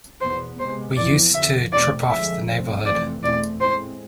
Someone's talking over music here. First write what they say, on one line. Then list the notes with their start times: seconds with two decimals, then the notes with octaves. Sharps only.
We used to trip off the neighborhood.
0.21 E2 B2 B3 C5
0.59 C3 G#3 B3 C5
0.97 F2 E3 B3 D5
1.34 F2 D3 F3 E5
1.72 E2 B2 A3 C4 D5
2.10 F2 D3 G#3 E5
2.48 B2 A3 C4
2.85 F2 C3 E3 A3 C4 D5
3.23 E2 B2 A3 C4 D5
3.60 A2 G#3 C4 C5